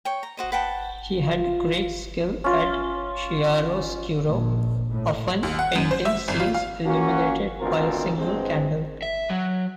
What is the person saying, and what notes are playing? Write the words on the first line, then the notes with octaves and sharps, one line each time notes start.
He had great skill at "chiaroscuro", often painting scenes illuminated by a single candle.
C#5 G5
A#5
F#4 C5 D#5
B4 F#5 G5 A5
F4
C#4 F4
A#1
A2
D#2
F#5
F#2
C5
E5
G#1
F4
F5
A#3 C#4 F4 F#4
G#1 D2 B2 C4 F4 A#4
E2 G2 B2 G#3 C4
E5
F#3